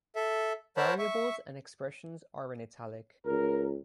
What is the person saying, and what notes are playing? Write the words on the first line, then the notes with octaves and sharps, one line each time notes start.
Variables and expressions are in "italic".
A4 E5
A#4 C5 C#5 F#5 A5 B5
E5 C#6
C#2 A#4